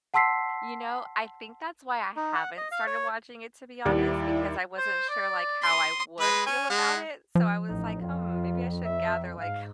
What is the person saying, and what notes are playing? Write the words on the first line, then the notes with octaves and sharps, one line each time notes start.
You know, I think that's why I haven't started watching it, to be honest, because I wasn't sure, like, how I would feel about it. So, I was, like, "Hmm, maybe I should gather, like,
F#5 A5 C6 E6 B6 C7
D#4
F#5
D#5
F5
C#5
D#2 G3 E4 D5
C5
D5
C6 D#6
G#3 B4 B5
C#4 G#5
G#3 F#5
F3
A1 D#4
F2 F4
E5
G#2 F5